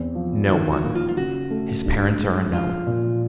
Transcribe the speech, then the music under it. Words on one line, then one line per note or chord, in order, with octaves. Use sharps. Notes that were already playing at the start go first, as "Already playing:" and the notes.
"No one; his parents are unknown."
Already playing: E2 C4
F3
D#3 F#4
F#4
A#3
F4
F4
C#3 F#4
A3
G2
G#3
F3 F4
A#2